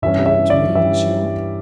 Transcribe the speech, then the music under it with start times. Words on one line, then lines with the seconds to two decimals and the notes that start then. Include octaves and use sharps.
"Towards me, monsieur?"
0.02 G2 E3 G3 C#4 E5
0.26 E5
0.50 D5
0.75 G2 E3 G3 C#4 E5